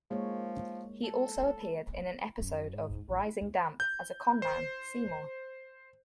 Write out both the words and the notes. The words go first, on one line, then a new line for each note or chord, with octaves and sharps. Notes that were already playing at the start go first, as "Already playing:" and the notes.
He also appeared in an episode of "Rising Damp" as a conman, Seymour.
F3 G#3 A#3 C#5
A4
F#2
G#2
A1
G6
C5